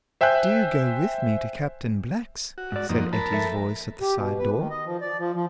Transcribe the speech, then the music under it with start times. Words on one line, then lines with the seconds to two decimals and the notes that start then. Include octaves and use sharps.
"Do go with me to Captain Black's," said Etty's voice at the side door.
0.21 C5 E5 G5 G#5 F#6 G6
2.58 F#4
2.72 G#2 D5
2.89 F#2 F3 A#3 D#4
3.13 A#4 A5 B5
3.33 A4 E5
4.01 G4
4.16 B2
4.39 B4
4.56 D#3
4.70 D#5
4.85 F3
5.01 D5
5.18 F3
5.34 F3